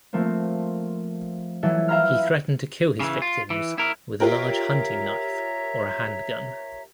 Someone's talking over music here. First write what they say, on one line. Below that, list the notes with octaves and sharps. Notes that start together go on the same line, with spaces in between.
He threatened to kill his victims with a large hunting knife or a handgun.
F3 A3 A#3 C4
E3 F#3 E4 A4
E5 F5 G5 A#5 B5 F6
C#3 E3
F4
E3
E4 A#4
F4 G4 A#4 C#5 E5 A#5